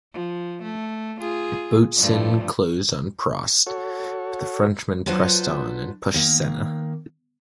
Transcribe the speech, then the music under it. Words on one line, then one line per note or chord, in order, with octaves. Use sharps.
Boutsen closed on Prost, but the Frenchman pressed on and pushed Senna.
F3
A3
F4 G#4
G2 F3 A3
F#4 A4 C#5
F#3 D4 F4 B4 C5 F#5
D#3 A#3